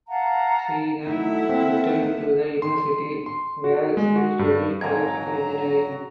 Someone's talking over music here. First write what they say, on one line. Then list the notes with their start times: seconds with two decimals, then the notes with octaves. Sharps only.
She then returned to the University where she studied electrical engineering.
0.09 F5 F#5 A5 A#5
1.07 F#3 A3 D#4 E4 A4 E5 F#5
1.49 A#3 C4
2.62 C6
3.26 C6
3.64 F#4
3.97 G#3
4.16 F#4
4.39 G2
4.81 F2 G#2 F#3 A#5 G#6